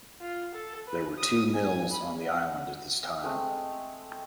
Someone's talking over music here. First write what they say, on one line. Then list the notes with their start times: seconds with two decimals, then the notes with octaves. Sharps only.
There were two mills on the island at this time.
0.21 F4
0.55 A4
0.87 B4
1.18 D#6
1.54 G#5
1.92 B5
2.23 F#5
3.23 G#3 A3 C4 G#4